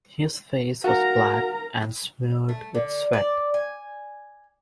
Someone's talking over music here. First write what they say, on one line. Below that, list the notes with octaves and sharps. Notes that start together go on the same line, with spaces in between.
His face was black, and smeared with sweat.
F#4 A#4 F5 F#5 A#5
A3
D3
D5
G#5